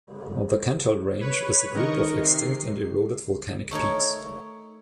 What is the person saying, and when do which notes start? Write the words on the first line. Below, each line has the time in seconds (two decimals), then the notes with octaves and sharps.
The Cantal range is a group of extinct and eroded volcanic peaks.
1.21 B4 C#5
1.75 D#3 A#4 D#5 C#6
2.20 C3 C7
3.71 A3 D#4 A#4 C#5